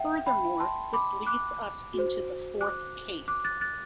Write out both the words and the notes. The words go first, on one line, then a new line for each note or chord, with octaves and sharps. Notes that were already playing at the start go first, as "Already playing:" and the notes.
Furthermore, this leads us into the fourth case.
Already playing: E5 F#5 G5
G5 B5
A5 C6
B5 D6
D6 F#6
F#4 C5
D6 F#6
D6 F#6
F#6 A6
F#6 A6